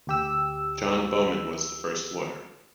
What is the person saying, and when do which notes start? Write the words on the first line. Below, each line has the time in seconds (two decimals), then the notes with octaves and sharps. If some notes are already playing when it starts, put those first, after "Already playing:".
John Bowman was the first lawyer.
0.07 D2 G4 E6